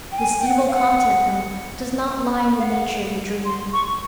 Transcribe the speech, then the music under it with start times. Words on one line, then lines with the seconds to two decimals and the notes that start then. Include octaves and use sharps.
This evil content, then, does not lie in the nature of the dream.
0.12 G5
0.18 G#5
0.39 G5
0.46 F#5
0.68 F5
0.73 F#5
2.59 F5
2.63 F#5
3.45 C6
3.73 C#6